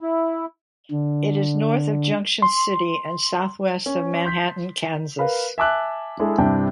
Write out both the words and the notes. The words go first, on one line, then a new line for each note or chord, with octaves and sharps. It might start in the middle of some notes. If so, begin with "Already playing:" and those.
It is north of Junction City and southwest of Manhattan, Kansas.
E4
D3
C6
C#4
C6 G6 B6
A#4 B4 F5 B5
E5 G#5 A5 D6 E6 F#6
G#3 D4 E4 G#4 A4
G2 C3 D4 E4 G5